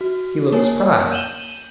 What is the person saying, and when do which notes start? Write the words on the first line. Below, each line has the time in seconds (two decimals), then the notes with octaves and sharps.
He looked surprised.
0.01 F#4
0.52 A#3 A#4 C#5 G#5
1.11 G6 D#7 E7 F#7 G7